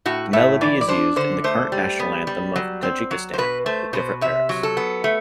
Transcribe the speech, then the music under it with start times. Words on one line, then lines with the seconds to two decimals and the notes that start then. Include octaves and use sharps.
The melody is used in the current national anthem of Tajikistan, with different lyrics.
0.06 A2 F#4
0.33 A2 E5
0.61 E3 D5
0.81 D5
0.89 D4 C5
1.16 D3 C5
1.44 A3 C5
1.72 G3
2.00 B3
2.27 G3
2.56 F#3
2.83 C4
3.11 F#3
3.34 C5
3.38 B2 B4
3.66 A3 C5
3.93 B2 C5
4.21 C3 E5
4.49 F#3
4.63 A4
4.77 B3
5.04 A3